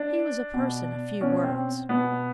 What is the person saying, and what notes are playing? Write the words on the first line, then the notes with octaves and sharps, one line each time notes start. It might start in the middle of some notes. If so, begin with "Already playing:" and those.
He was a person of few words.
Already playing: D4
B2
B2 C#4
C4
B2 B3